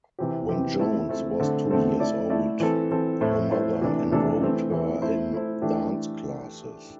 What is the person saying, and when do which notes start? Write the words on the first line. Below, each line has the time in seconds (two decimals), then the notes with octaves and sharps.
When Jones was two years old, her mother enrolled her in dance classes.
0.19 C3 E3 C4 G4
0.49 C3 E3 C4 G4
0.79 A3 C4 E4 A4
1.09 A3 C4 E4 A4
1.40 D3 A3 C4 A4 C5
1.70 D3 A3 C4 A4 C5
2.00 A3 E4 A4 D5
2.30 A3 E4 A4 D5
2.60 E3 C4 A4
2.91 E3 C4 A4
3.21 A2 A3 E4 C5
3.51 A2 A3 E4 C5
3.81 C3 E3 A3 D4 A4
4.11 C3 E3 A3 D4 A4
4.41 E3 A3 C4
4.72 E3 A3 C4
5.02 A3 E4 C5
5.32 A3 E4 C5
5.62 E3 A3 D4 G4